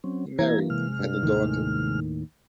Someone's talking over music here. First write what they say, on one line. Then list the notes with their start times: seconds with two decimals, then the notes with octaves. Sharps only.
He married and had a daughter.
0.04 F#3 C4 C#4
0.39 E3 A#3 E4 A#5 G#6
0.70 C3 G#3 F6
0.99 G2
1.23 D#2 A2 D#3